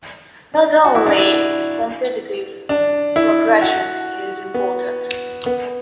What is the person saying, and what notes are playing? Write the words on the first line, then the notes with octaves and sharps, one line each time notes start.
Not only quantitative progression is important.
D4
F#4
E4
D4
E4
D4
E4
F#4
B3
B3